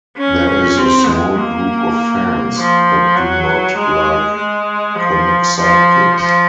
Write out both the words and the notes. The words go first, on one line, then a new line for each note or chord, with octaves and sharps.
There is a small group of fans that do not like comic sidekicks.
C#4
C4
G#3
A#3
F3
F#3
G#3
G#3
F3
F3
F3